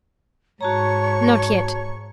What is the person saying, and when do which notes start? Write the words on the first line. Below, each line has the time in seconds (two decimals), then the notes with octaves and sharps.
"Not yet."
0.61 G#2 F#4 C#5 A5 A#5 C#6